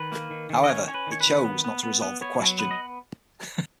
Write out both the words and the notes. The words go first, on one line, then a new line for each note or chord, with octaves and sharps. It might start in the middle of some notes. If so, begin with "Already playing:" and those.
However, it chose not to resolve the question.
Already playing: D#3 B4
A#3
D#3
D#3
D#5
C#4 C#5
C#4 C#5
B4
D#3 C#5
B4
D#3
B3
B3
B3
B3
B3 C#5
F#3
B3 B4
D#5